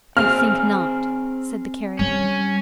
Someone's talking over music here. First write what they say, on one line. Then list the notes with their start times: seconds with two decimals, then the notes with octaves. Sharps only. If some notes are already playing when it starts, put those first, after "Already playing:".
"I think not," said the Carrier.
0.17 C4 G#4 F6
1.99 G3 C#4